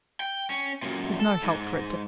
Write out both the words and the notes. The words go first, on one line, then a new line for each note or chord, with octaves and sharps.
There's no help for it, Dick.
G5
C#4
F#2 A#2
A4
G#2